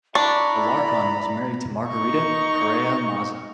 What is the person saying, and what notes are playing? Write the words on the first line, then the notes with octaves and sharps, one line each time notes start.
Alarcon was married to Margarita Perea Maza.
D4 E4 D5 A#5 B5 C#6 D6
D#4 C#6